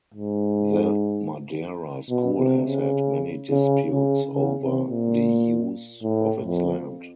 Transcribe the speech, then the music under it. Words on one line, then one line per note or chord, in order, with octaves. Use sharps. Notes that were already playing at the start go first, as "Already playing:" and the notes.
The Madeira school has had many disputes over the use of its land.
G#2
B2
C3
C#3
C#3
C#3
C#3
C3
A#2
A2
F2